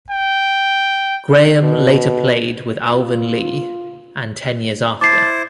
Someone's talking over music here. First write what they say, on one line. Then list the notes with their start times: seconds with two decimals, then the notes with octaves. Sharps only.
Graham later played with Alvin Lee and Ten Years After.
0.10 G5
1.63 B2
2.90 F4
5.01 E4 C5 A5 D6 C7